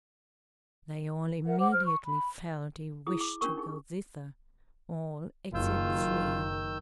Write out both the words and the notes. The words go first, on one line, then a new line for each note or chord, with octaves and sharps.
They all immediately felt a wish to go thither; all except three.
A#4 E5 F#5
C5 F#5 D6
C5 F6
C#6
B5
E4 G#4 D#6
D6
C#4 D4 G4 A#4 C#6
D#4 G#4
F#1 D#3 F4 E6 G6